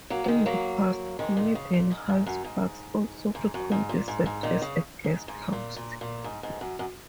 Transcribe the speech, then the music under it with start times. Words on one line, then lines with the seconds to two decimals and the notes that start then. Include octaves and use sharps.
In the past, Comedian Hal Sparks also frequently served as a guest host.
0.10 F#3 A#3
0.24 F#3
0.28 D#3 G#3
0.46 F#3 A#3
1.19 D#3 G#3
1.37 A#2 D#3
1.55 C#3
1.73 A#2
1.91 G#2
2.09 G#2
2.26 F#2
2.44 G#2
3.35 G#2
3.54 F#2
3.72 G#2
3.89 A#2
4.08 G#2
4.26 G#2
4.43 A#2 D#3
4.62 C#3
5.04 G#2
5.28 G#2
5.53 A#2
5.76 A#2
6.01 A#2
6.24 G#2
6.43 G#2
6.61 F#2
6.79 F#2